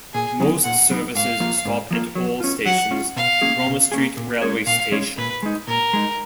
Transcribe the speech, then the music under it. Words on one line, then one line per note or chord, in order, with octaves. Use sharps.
Most services stop at all stations to Roma Street railway station.
A#2 G#4
F#3 B3 D#4
A#2 F#5
F#3 B3 D#4
G#2 F5
F3 A#3 F4
G#2
F3 A#3 F4
F#3
C#4 F4
F#3 F#5
C#4 F4
B2 F5
A#3 C#4 G#4
B2
A#3 C#4 G#4
A#2
G#3 C#4 G#4 C#5
A#2 F5
G#3 C#4 G#4 C#5
A#2 B4
G#3 D#4
A#2 A#4
G#3 D#4